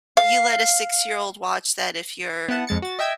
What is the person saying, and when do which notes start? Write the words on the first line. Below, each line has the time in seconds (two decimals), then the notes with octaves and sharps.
you let a six-year-old watch that if you're
0.17 F5
2.48 B3 E4 F#5 A5
2.67 F2 G#3 A6 C#7
2.82 F#4 A6
2.99 D#5 E5 G5 E6 G#6